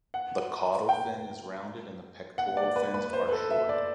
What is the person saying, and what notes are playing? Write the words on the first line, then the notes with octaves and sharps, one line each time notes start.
The caudal fin is rounded and the pectoral fins are short.
F#5
G5
F#5
D5
B4
B4
C5
B4
A4
E5
D5